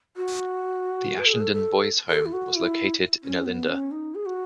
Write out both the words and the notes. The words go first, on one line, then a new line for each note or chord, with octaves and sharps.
The Ashendene Boys Home was located in Olinda.
F#4
B4
A4
G#4
A4
A4
A4
E4
F#4
E4
C#4
B3
C#4
D#4
G#4
F#4